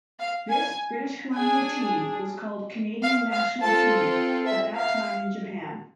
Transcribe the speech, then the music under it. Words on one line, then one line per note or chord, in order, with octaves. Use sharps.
This British Columbia team was called "Canadian national team" at that time in Japan.
F5
G#5
D4 G#4 G#5
F5
F5
C4 F4 A4 A5
E5
F5